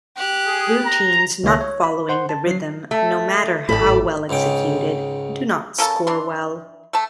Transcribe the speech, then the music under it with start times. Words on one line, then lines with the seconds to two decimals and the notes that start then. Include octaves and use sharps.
Routines not following the rhythm, no matter how well executed, do not score well.
0.16 G4 F#6
0.46 G#4
0.86 A#5
1.44 C#2 D#3 A#3 C#5 E5 A#6
1.61 C#5
1.84 B5
2.09 C5 F#5 C6
2.29 A5
2.47 F#3 C7
2.91 A3
3.69 G#1 A2 A4 D5 B5
4.29 C#2 G#2 C#3 G5
5.78 C#3 A4 A#4 A5
6.07 E3 D4 C6
6.93 A3 A5